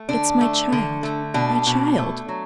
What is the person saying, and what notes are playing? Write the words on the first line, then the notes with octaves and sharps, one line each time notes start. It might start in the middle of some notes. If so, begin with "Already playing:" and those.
"It's my child, my child!"
Already playing: A3
D3 D4
A3
D3
A3
B2 D4
B2
A3
F#3